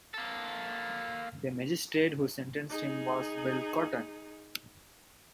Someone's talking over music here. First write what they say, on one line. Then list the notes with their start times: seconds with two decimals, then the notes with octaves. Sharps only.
The magistrate who sentenced him was Bill Cotton.
0.14 A#3 A4
2.69 D#4 G#4